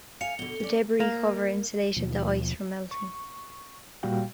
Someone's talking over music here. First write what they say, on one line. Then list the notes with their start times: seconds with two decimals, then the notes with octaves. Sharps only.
The debris cover insulated the ice from melting.
0.21 F5 G#5 C#7 F7
0.39 B2 D3 G7
0.60 C#4 D5
1.00 A#3
1.97 D#2 B2 F3
2.91 C#6
4.03 A#2 G3 F#4 F5 G5